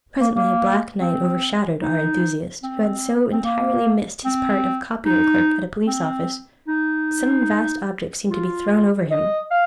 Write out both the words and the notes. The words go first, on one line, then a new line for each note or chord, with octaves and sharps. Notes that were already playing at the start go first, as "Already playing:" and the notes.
Presently black night overshadowed our enthusiast, who had so entirely missed his part of copying-clerk at a police-office; some vast object seemed to be thrown over him.
A#3
A#3
C4
D#4
C4
C4
A#3
C4
D#4
C4
D#4
F4
D#5
F5